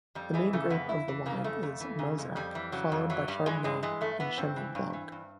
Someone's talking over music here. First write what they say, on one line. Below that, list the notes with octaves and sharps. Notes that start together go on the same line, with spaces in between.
The main grape of the wine is Mauzac, followed by Chardonnay and Chenin blanc.
F2 G3
E3 G#3
C#3 A3
F2 B3
F2 E4
E3
C#3 A#3
F2 A3
F2
E3
C#3
F2
F2 G3
E3
C#3 F#3
F2
E3 F#3
G2 G3
E3 G#3
G2 G#3
E3 G#3
G2 A3
E3 B3
G2 C4
E3
G2
E3
G2